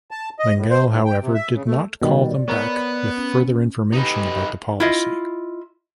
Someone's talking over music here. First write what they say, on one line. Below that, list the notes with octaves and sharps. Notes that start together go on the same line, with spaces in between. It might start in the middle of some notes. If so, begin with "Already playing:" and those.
Lengel, however, did not call them back with further information about the policy.
A5
D#5
A2
C5
G#2
G5
C3
E5
C#3
A3
B2 D#3 G3 D5
B3 A#4 C#5
C#4
D#4 G4 B4
E4 F4 D#5